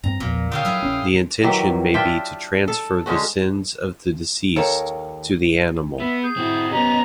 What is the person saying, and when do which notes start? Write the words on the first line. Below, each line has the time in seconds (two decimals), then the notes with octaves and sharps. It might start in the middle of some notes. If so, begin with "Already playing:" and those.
The intention may be to transfer the sins of the deceased to the animal.
0.04 G2 C4 A#5
0.20 A#1 E2 A#2 F3
0.52 D3 F4 A4 C#5 F5 G5 D#6
0.65 F#3 E4 G#4
0.83 A#1 C#4
1.43 D#3 E3 F#3 G4
1.94 D4 F4 E5 G5
2.68 A4
3.06 D3 G#3 C#4 F#4
4.56 D#2 A4 A#4 C#5
6.00 B3 E5
6.23 G#4 G6
6.37 C4 E4 F#4
6.71 B3 C#4 G4 D#5 A#5